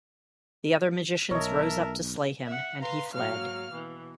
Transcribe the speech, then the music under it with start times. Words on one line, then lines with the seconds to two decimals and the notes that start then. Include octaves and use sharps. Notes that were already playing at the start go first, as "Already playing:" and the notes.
The other magicians rose up to slay him, and he fled.
1.31 B1 A#4 C#5 D#5 E5 A5
2.46 E5 F#5
2.80 B4 F5 A#5 C6
3.12 G#2 F#3 A#3 F5 F6
3.70 B2 E3